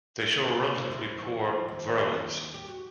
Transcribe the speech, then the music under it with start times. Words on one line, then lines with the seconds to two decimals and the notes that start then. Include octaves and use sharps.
They show a relatively poor virulence.
0.43 B4
0.55 A3
0.76 C3
0.91 E4
1.06 F#2
1.19 E3
1.45 F3
1.68 D#2
2.54 G4
2.68 F#4